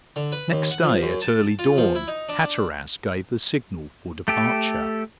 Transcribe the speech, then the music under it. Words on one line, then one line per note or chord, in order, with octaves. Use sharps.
Next day at early dawn, Hatteras gave the signal for departure.
D3
B4
D#2
F#5
F3
F#2
A5
F4
F3
E4
D#4
D4
A3 G4 A4